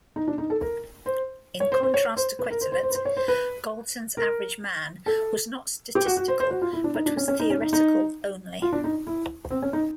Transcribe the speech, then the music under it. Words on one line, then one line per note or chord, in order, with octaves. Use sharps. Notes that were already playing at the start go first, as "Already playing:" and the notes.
In contrast to Quetelet, Galton's average man was not statistical but was theoretical only.
D#4
D4
D#4
A4
A#4
C5
C#5
C5
C5
C#5
C5
B4
A#4
C5
C5
C5
B4
C5
C#5
C5
B4
A#4
A4
G4
F#4
F#4
C5
C5
F#4
F4
E4
D4
D#4
D4
C#4
C#4
D#4
C#4
D#4
D#4
F4
D4
D#4
E4
C4
C#4
D#4